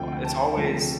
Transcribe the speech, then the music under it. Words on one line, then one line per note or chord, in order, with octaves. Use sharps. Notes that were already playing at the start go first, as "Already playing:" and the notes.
a it's always,
Already playing: D2 C3 F3 G5
G5
A5
D2 C3 F3 A5